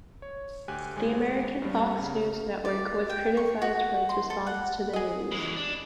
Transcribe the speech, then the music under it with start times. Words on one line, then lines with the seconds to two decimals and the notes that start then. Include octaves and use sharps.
The American Fox News network was criticised for its response to the news.
0.22 C#5
0.68 D2 G4 G#5 F#6
0.96 G#1 G#3 G#5
1.62 G2 G3
2.02 C#3
2.65 D5
3.10 G5
3.37 C#6
3.62 F#4
4.09 C6
4.30 A4
4.47 F#5
4.93 G#4 D#5
5.32 E3 G#3
5.56 D4